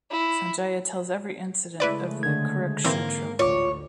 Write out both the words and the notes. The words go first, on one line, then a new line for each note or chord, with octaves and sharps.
Sanjaya tells every incident of the Kurukshetra war.
E4
C#3 G#3 A3 E4 B4 D5
D3 G#6
G#2 E3 F#3 G#3 A#3 C4
A1 D2 F4 C#5 D6